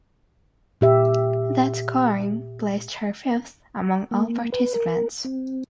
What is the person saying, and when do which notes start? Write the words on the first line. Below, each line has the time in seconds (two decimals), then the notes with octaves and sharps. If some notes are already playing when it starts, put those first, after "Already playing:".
That scoring placed her fifth among all participants.
0.81 A#2 G4 E5
4.11 A#3
4.52 B4
4.74 A#4
5.25 C4